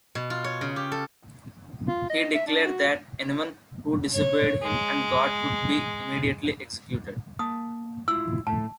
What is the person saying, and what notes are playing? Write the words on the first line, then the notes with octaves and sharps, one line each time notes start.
He declared that anyone who disobeyed him and God would be immediately executed.
B2
F4
C#5
C#3
G4
A4
F4
D#5
E5
D4
F#4
C#5
G#3
A#3 A5 D#6
E4 F4 E6
A2 A3 A5